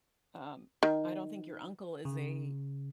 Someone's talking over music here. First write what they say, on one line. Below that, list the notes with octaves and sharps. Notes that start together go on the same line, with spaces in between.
Um, I don't think your uncle is a
D#3
C#3